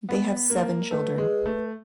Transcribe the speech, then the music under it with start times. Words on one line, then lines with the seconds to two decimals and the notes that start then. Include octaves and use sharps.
They have seven children.
0.09 B3
0.50 A#3
0.90 A3 B4
1.18 G#3
1.46 A3